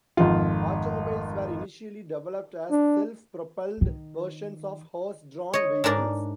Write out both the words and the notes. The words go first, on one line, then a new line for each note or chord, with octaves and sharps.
Automobiles were initially developed as self-propelled versions of horse-drawn vehicles.
G#1 F2 F4
D4
D#3
C#5 D#5
G#2 D4 A#4 D5